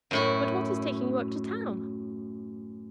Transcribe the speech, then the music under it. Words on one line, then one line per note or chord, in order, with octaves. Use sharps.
But what is taking you up to town?
F#2 A2 E4